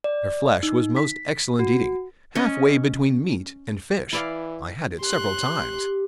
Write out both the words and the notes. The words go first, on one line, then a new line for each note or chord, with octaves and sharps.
Their flesh was most excellent eating--half-way between meat and fish: I had it several times.
D5
D#4
B6
F#4
C#4 D#5
E3 E4 D5 F5
G4 C6 F#6